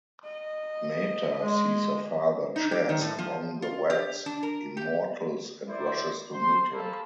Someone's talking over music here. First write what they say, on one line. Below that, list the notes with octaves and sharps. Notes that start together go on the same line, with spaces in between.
Meta sees her father Chas among the wax immortals and rushes to meet him.
D#5
G#3
D#4
G4
D#3
A2
F3
F4
G4
D4
A#4
G4
E4 C5 D5
C5 C6
A#3 A4 C5 A5 B5